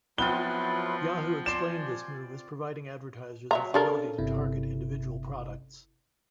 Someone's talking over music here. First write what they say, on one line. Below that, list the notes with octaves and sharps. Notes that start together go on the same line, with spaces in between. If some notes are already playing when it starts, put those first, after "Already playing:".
Yahoo explained this move as providing advertisers with the ability to target individual products.
F3 F#3 B3 C4 E4 F4 B4 G7
C5 D5 G#5 C6 E7
F#3 E5 A#5
C#3 D4 A4 A#4
G1 C3 E4